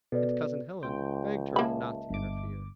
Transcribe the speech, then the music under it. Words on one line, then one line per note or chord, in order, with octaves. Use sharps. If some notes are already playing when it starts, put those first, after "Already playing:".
And Cousin Helen begged her not to interfere.
B2 A4 B4 D5
C#2 G5 C6
A#3 D#5 E5 A5 B5
G1 D6